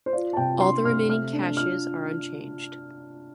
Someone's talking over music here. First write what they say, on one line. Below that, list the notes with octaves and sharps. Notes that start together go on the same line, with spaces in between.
All the remaining caches are unchanged.
C5
F4 D5
A5
C3 G5
D4 C6
C3 F6
A3 F6
D4
F4 F6